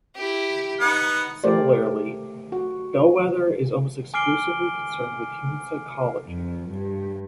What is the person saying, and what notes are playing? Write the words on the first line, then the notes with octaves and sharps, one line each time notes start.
Similarly, "Bellwether" is almost exclusively concerned with human psychology.
E4 G4
B3 D#4 F#5
A3 G4 A#4 C5 D5
F#4
G#5 D6 F6 C7 D7 G7
F2
G2